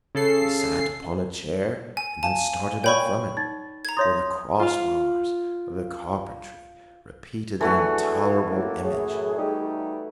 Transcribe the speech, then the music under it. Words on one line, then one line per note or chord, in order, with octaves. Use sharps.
He sat upon a chair and then started up from it for the cross-bars of the carpentry repeated the intolerable image.
C#3 A4 C7
G#5
F5 G#5 A5 D#7
C#5 D5 G5 B5 C#6
D#4 A6
A#5 G#6
E4 C#5 E5 C6 D#6
F4 F5
E3 A3 D4 F#4 G#4 A4
A2 A#3
F#2 A2 G#4
G3 D#4